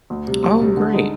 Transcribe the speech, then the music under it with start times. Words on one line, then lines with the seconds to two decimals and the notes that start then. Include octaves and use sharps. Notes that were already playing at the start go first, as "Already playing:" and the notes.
Oh, great.
0.10 D2
0.27 C3 G3
0.44 D2
0.60 C3 G3
0.77 D3
0.94 G#3 D#4